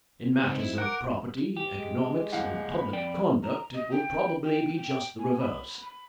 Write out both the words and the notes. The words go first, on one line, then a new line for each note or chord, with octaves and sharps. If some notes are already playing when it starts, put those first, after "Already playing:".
In matters of property, economics and public conduct it will probably be just the reverse.
C#2 C4 D#4
E4
A#4 F#5 G5 D6
G4
G#3
D#1 F5 F#5
B5
F2 D5 G5
A#5
D#5
G5
G5
G5
G#5
B5
B5